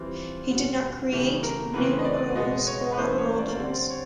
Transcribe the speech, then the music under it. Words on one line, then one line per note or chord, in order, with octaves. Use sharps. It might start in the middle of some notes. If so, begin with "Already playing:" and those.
He did not create new earls or earldoms.
Already playing: E3 G3 C4 F4
B2 G3 B3
C#3 E3 A3 G4
A#4
C#3 E3 A3 C4 B4
D#5
D5
B2 G#3 B3 D#5
C#5
B4
E3 A3 C#4 C5
C#5
D5
D3 G3 C4 D5
C#5